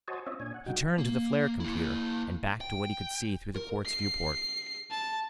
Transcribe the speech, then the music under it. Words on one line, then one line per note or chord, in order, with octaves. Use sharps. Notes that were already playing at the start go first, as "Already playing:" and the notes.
He turned to the flare computer and back to what he could see through the quartz viewport.
F#4 C5 C#5 D#5 G#5 A5
C4 C#4 F4 C#5 D#5 E5
A#2 D4 C#5 G#5
F#5
G2 F#3 D#4 F#4 G5
A#3
A#3 E4
G5
A#4
C7
A5